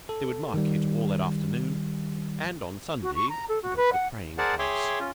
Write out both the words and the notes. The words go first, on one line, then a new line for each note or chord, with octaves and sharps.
They would market all that afternoon, and on Sunday go to the praying-place.
A4
D#3 G3
F#4
C#6
A#5
A4
F#4
B4
F#5
G#4 A#4 C5 D5 F#5 A5
G#4 C#5 E5 G5 C6 D6
C#4 F4